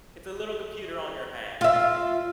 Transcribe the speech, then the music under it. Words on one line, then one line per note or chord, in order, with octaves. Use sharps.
It's a little computer on your hand,
F4 E5